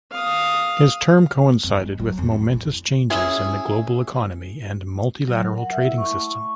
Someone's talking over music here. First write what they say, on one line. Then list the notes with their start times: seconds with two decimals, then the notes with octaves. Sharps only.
His term coincided with momentous changes in the global economy and multilateral trading system.
0.11 F5 D#6
1.64 F2
1.82 G#3
1.99 F#3
2.19 F2
2.31 E4
2.52 A1
3.10 C#4 E4 G#4
5.28 F#3
5.46 A#4
5.58 F#5
5.72 E5
5.85 E4
5.98 C#6
6.11 A3
6.27 C#6